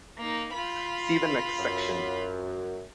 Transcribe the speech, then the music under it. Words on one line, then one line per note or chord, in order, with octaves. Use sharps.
See the next section.
A#3 D#4
F4 B5
F#2